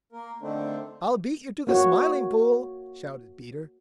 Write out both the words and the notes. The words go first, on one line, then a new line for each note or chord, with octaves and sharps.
"I'll beat you to the Smiling Pool!" shouted Peter.
A#3 A#4
D3 D#3 A3 C4 D4
A#3 F#4 C#5